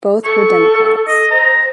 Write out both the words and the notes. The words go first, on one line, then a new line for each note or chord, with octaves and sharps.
Both were Democrats.
A4 C#6
D#5
C5 A#5